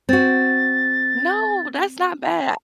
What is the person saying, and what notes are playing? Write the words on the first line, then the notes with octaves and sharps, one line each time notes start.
No, that's not ba
C4 F#4 A6